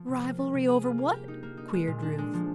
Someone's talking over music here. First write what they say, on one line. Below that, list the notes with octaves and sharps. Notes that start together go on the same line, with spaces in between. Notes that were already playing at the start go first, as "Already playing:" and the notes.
"Rivalry over what?" queried Ruth.
Already playing: F3
C3
A#3
G3
C3
G#4
F4
A#3
G4
D#4
A#3
D#4
G#3
A#2
D4
G#3
F3